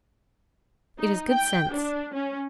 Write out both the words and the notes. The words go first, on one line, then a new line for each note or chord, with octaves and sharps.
It is good sense.
D#4
G5
D4
C#4